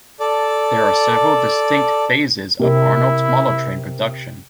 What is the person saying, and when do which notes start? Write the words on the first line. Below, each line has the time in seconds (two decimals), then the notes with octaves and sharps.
There are several distinct phases of Arnold's model train production.
0.20 A4 D5
2.60 C3 E4 A#4